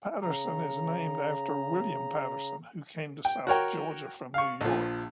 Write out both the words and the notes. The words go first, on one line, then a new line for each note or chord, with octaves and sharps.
Patterson is named after William Patterson, who came to South Georgia from New York.
C#3 A#5
G5
F#4 A#4 C#5 G5
F5 C#6
A#1 F3